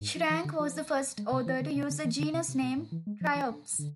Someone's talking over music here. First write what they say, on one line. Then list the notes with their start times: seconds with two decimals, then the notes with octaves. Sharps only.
Shrank was the first author to use the genus name "Triops".
0.01 G#2
0.16 F3
0.30 E3
0.45 D3
0.60 F3
1.18 G#3
1.32 C3
1.46 E3
1.61 D3
1.76 C3
1.90 D3
2.05 E3
2.19 D3
2.34 C3
2.48 C3
2.63 B2
2.78 A2
2.92 E3
3.07 G#3
3.21 F3
3.35 E3
3.50 D3
3.79 D3